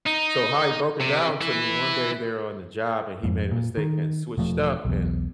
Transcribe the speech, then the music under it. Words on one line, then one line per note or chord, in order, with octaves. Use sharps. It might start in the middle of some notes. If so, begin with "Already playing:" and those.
So, how he broke it down to me, one day they're on the job, and he made a mistake and switched up, and
D#4
C3
E3 E4
F2 G#2
A#2
D#3
E1 F3 A3
B1 E2